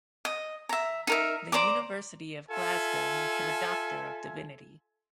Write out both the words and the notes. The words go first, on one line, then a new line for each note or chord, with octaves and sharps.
The University of Glasgow made him a Doctor of Divinity.
D#5
E5 A#5
D#4 A#4 E5
C5 D5 A#5 D6
F4 A4 E5 G#5